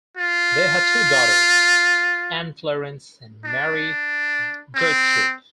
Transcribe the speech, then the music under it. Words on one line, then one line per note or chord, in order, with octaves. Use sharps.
They had two daughters - Ann Florence and Mary Gertrude.
F4
D4
C4